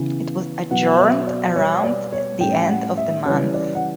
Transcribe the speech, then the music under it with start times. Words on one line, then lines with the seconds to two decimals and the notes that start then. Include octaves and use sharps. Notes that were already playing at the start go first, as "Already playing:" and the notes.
It was adjourned around the end of the month.
Already playing: C#3 E3 B3
0.71 B2 F#3 B3 F#5
0.99 E5
1.27 D5
1.56 B2 G3 B3 C#5
1.84 D5
2.12 C#5
2.41 A2 G3 C#4 G5
2.69 F#5
2.98 E5
3.25 C#3 E3 G3 C#5
3.54 D5
3.75 F#5